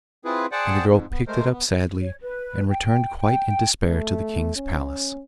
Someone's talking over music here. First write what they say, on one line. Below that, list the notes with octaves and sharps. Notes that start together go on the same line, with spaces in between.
And the girl picked it up sadly, and returned quite in despair to the king's palace.
C4 E4 F4 G#4 B4
G#4 C5 D5 F#5 G5 A5
F2 G#2
B3
G#3 A3 A#4 C5
B3
C#5
B4
G5
G5
A3
C#4